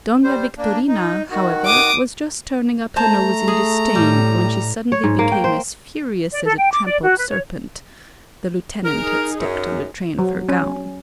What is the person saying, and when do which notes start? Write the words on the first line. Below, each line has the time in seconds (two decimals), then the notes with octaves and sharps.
Dona Victorina, however, was just turning up her nose in disdain when she suddenly became as furious as a trampled serpent--the lieutenant had stepped on the train of her gown.
0.24 G3 C5
0.58 A#3 D4
0.88 D#4
1.30 D#3 F#4
1.66 D6 D#6
2.96 A3 C5 A5 A#5
3.48 G#4
3.95 A2 G3
4.92 C#5
5.04 G#2
5.19 A#3
5.32 G5
5.44 C5
6.31 D5
6.43 A4
6.58 G5
6.71 D6
6.84 D5
7.01 F#4
7.16 B4
7.28 C#5
8.85 D#4 G#4 A#4
9.39 F#2
10.19 F#3
10.49 C#4